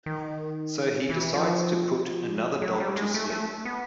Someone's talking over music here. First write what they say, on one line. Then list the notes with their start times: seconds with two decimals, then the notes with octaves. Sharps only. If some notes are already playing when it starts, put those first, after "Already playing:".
So he decides to put another dog to sleep.
0.06 D#3
1.09 E3
1.34 F3
2.62 F#3
2.80 G3
2.96 G#3
3.14 A3
3.30 A3
3.65 B3